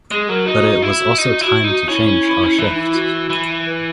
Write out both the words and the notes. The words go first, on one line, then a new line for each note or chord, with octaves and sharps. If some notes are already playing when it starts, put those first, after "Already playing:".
But it was also time to change our shift.
G#3 G#4
F#3 A#4
D#4 F#4
E4
D#4
E4
D#4
C#4 E4
E4
E4
E4
E3 D#4
E4
F#4
F#4
E3
B4